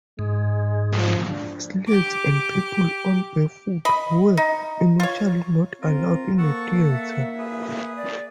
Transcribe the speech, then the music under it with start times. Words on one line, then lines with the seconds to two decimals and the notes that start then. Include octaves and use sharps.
Slaves and people on barefoot where initially not allowed in the theatre.
0.19 G#2 G#3
0.97 F3
1.29 D4
1.87 G4 D6
3.85 D#5 B5
4.37 D#4
5.00 F4 C#5
5.82 C4 F4 A#4
6.38 A#3 A4 F#5 A5 C#6
6.90 E5
7.38 G#4 B4
7.96 D5